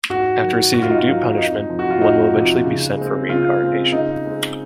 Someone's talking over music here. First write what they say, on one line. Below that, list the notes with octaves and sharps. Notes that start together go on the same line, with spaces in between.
After receiving due punishment, one will eventually be sent for reincarnation.
G#2 F#4
D#3 F#3
G#2 F#4
F4
D#4
F4
D#3 F#3
F2 D#4
C3 F3
F#4
F4
F2 D#4
C3 F3
C#3
G#3 C4
C#3 F4
G#3 C4
C#3 D#4
G#3 C4